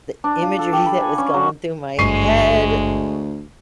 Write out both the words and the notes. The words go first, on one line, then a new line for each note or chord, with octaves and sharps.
the imagery that was going through my head,
D4
F4
A4
G4
B5
G#5
C#4
F#3
G#1 D2 G2 G#3 C#6 C7 D#7